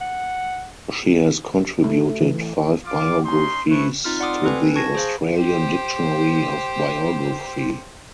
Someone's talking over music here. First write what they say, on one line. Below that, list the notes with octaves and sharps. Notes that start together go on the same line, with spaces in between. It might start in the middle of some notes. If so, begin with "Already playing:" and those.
She has contributed five biographies to the Australian Dictionary of Biography.
F#5
A3
E3
F4 F5 D6
C#4 D#4 C6
A3 E4 B4 C5 C#6
C4 D#4 F4 F6
D5 F#5 C6 D6 D#6
C4 A4 B4 G#5
A5 C#6 G#6 A#6
G#4 C5 F5
G4 C5